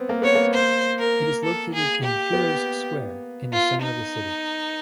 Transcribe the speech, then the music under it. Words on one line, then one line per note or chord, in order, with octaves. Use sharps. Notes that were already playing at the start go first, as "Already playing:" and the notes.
It is located in Heroes' Square in the center of the city.
Already playing: B3 C4
A#3
B3 C#5
A#3
C5
A#4
A4
G#4
G4
B3
F4
D#4